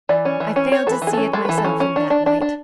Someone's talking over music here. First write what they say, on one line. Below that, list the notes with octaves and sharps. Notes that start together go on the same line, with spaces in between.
I failed to see it myself in that light.
E3 D5
C#4
E3
C#4
C#4 C#5
E3 A4
B4
E3
G#4
C#4 A4
G#3 A4
E3 B4
A4
C#4
C#4
D4
D4
D4
D4